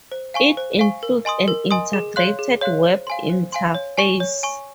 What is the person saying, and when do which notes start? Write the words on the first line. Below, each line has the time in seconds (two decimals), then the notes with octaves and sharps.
It includes an integrated web-interface.
0.12 C5
0.34 F5 G#5 C#6
0.57 C5
0.79 F5 G#5 C#6
1.03 A#4
1.25 D#5 G#5 C6 D#6
1.48 A#4
1.71 D#5 G#5 C6 D#6
1.93 G#4
2.16 C#5 F5 C6 F#6
2.39 G#4
2.61 C#5 F5 C6 F#6
2.84 C5
3.07 F5 G#5 C6
3.30 C5
3.52 F5 G#5 C6
3.75 C#5
3.98 G#5 C#6
4.20 C#5
4.43 G#5 C#6